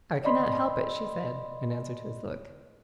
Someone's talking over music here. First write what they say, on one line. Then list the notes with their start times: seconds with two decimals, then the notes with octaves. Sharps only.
"I could not help it," she said, in answer to his look.
0.24 D5 D#5 B5 C6